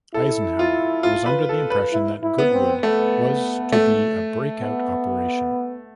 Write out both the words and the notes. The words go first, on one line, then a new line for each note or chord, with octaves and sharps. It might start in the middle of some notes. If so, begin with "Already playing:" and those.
Eisenhower was under the impression that Goodwood was to be a break out operation.
E4 A4
F4
F4
B4
A4
B4
E4
E4
B3
C4
A3 B3
A3
B3